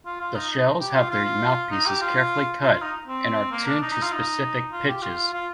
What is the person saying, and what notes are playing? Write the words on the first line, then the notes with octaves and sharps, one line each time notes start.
The shells have their mouthpieces carefully cut and are tuned to specific pitches.
F4
F4
D#4
D#4
G4
F4
F4
D#4
G4
F4
F4
F4
D#4
C4
A#3
D4
D#4
D#4
F4
D#4
F4
G4
F4
F4